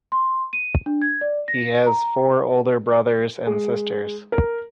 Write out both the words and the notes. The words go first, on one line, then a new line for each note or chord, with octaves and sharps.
He has four older brothers and sisters.
C6
D#7
D4
G#6
D5
A#6
A#5
G#3
A#4